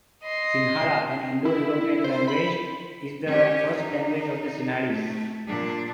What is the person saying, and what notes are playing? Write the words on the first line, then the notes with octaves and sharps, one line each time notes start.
Sinhala, an Indo-European language, is the first language of the Sinhalese.
D#5 C6
E4
C5
B5
C#4 G4
D#4
A3
A#2 D4